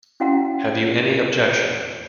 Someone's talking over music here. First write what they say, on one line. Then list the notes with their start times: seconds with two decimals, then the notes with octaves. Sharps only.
Have you any objection?
0.20 C#4 E4 F#4 F5 F#5 A#5